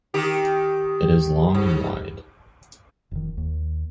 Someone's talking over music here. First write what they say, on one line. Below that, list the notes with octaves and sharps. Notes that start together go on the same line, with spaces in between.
It is long and wide.
D#3 G4
G#2
F1 D#3
D#2